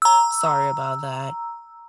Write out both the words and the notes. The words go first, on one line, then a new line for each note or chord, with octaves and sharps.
Sorry about that.
A#5 E6